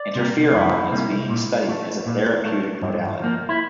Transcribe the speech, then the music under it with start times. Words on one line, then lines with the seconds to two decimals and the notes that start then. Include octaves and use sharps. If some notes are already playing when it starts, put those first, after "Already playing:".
Interferon is being studied as a therapeutic modality.
Already playing: D5
0.15 C3 G3 A#3
0.54 F2 E4
0.92 C3 G3 A#3
1.30 A#2
1.68 A3
2.06 A#2
2.45 A3
2.82 G2
3.20 F3 A#3
3.49 E4